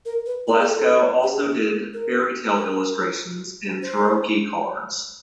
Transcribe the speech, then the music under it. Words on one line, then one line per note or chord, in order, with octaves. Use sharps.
Blasco also did fairy tale illustrations and tarrocci cards.
A#4
B4
A#4
G#4
A4
G4
G#4
A#4
A#4
C5